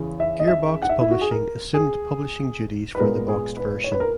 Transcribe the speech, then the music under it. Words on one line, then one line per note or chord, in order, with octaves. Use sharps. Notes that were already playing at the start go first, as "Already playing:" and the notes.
Gearbox Publishing assumed publishing duties for the boxed version.
Already playing: E2 C#3 E3
E5
D#5
E5
F#5
E5
E4
F#4
G#4
A#4
G#4
B4
A#2 G#3 B3 A#4
G#4
B4
C#5
B4
A#4